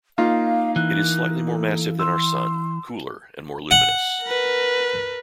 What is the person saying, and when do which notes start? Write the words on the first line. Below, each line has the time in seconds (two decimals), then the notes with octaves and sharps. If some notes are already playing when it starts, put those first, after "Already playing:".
It is slightly more massive than our Sun, cooler and more luminous.
0.18 A#3 D#4 F4 F5
0.76 E3 F#6
1.48 A4
1.99 C6 E6
3.71 F#5
4.23 A#4 B4